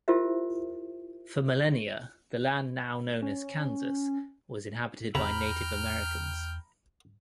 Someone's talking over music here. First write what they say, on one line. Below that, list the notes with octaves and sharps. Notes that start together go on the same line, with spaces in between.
For millennia, the land now known as Kansas was inhabited by Native Americans.
E4 F4 G4 A#4 C5 E5
C#4
E2 C3 G5 A#5 B5 F6